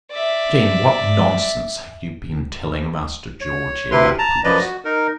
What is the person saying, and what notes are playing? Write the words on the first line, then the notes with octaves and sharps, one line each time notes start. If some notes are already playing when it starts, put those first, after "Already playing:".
"Jane, what nonsense have you been telling Master Georgie about policemen?"
D5 E5
C#5
D2 C3 E4 B4 C6
A5 A#5
F#2 F3 B4 D5 D#5
F#4
D#4 A#4